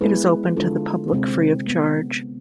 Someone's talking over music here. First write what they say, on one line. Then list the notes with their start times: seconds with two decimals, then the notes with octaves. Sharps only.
It is open to the public free of charge.
0.01 G#3 B3 E4 G#4 B4
0.57 D3 G#3 D4 F4 A4
1.12 C3 G#3 C4
1.68 B3